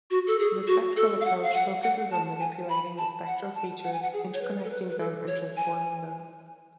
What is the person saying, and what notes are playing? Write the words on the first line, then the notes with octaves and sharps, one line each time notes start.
The spectral approach focuses on manipulating the spectral features, interconnecting them, and transforming them.
F#4
A4
G#4
F#4
A4
F5
F#5
F5
F#5
F#5
A5
G#5
B5
A5
F#5
A5
F#5
G#5
F#5
G#4
C#5
B4
A4
B4
B4
A4
C#5
G#5